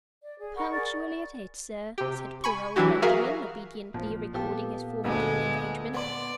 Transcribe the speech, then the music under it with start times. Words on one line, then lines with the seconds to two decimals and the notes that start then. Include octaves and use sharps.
"Punctually at eight, sir," said poor old Benjamin, obediently recording his formidable engagement.
0.22 D5
0.39 G#4
0.56 A#4 F#5 B5 C#6
0.72 G#4 A#4 D5
1.98 C3 G4
2.44 G#5 B5 C#6
2.76 E3 F#3 D4 E4 F#4 G4
3.02 F#4 G#4 A#4 E5 F5
3.94 A1 A#2 F3
4.34 A#2 B3 F4 G4 A4
5.04 D2 G#3 A3
5.94 B3 D5 C6